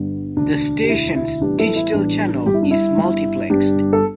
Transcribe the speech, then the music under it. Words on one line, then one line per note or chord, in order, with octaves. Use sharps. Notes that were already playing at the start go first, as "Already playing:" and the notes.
The station's digital channel is multiplexed.
Already playing: G1 G2 D3 B3
E1 D2 D3 D4
G4
E1 D2 D3 E4
E4
A1 A2 G3 B3 D4 G4
E4 A4
E4
A1 A2 G3 B3 D4
G1 G2 D3 G4
E4
D4
E4
G1 G2 D3
G1 G2 G3 B3 D4 G4
A4